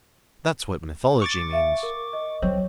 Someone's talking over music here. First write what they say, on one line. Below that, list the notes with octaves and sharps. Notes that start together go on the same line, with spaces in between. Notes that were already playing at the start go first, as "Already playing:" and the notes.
That's what mythology means.
C#6 D6 A6
E5 F5
A#4
D#5
F#3 C4 C#5